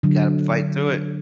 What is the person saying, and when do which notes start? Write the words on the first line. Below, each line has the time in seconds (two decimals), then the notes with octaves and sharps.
you gotta fight through it.
0.03 D3 F#3